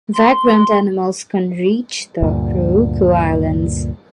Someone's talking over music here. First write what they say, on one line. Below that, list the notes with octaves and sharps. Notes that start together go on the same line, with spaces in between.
Vagrant animals can reach the Ryukyu Islands.
C6
D2 G2 A#2